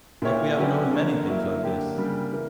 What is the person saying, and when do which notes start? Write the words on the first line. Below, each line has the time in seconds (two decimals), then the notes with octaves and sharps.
Yet we have known many things like this.
0.22 A#2 A#3 E4 G4 C#5
0.57 D3 F#3 C#4 G4 B4
0.91 D3 A#3 D4 A#4 C#5
1.27 F#3 A#3 E4
1.63 D3 A#3 D4 G4
1.98 C#3 G3 A#3 D4 G4
2.32 E3 A#3